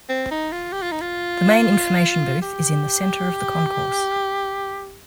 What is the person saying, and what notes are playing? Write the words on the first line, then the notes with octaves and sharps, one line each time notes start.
The main information booth is in the center of the concourse.
C4
D#4
F4
G4
F4
D#4
F4
G4